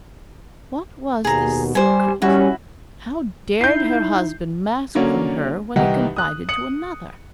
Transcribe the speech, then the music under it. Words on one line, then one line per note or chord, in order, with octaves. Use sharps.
What was this secret? How dared her husband mask from her what he confided to another?
D#2 B2 G#4 A#5
G3 C5 G#5
G3 C#4 E4 F#4
D#4 E4 G6 C7
D3 F#3 A#3 C#4 D4
C2 D#3 E3 D#4 G4 F#5
D#6 F#6
D#6 C#7 F#7